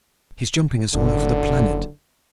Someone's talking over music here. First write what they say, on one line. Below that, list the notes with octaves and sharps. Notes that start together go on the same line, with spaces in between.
He's jumping us all over the planet.
F#1 D3